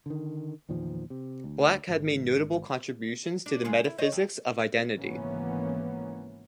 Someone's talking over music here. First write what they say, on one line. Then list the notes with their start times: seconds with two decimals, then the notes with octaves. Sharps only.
Black had made notable contributions to the metaphysics of identity.
0.06 D3 D#3
0.69 E2 A#2 D#3 F3
1.10 C3
1.44 D2
1.89 G#1
3.46 D4
3.65 C#3 G#3 F4
3.84 E4
3.98 C5 C#5 D#5
4.12 F2
4.95 G#1 C#3 E3 A#3 B3 C#4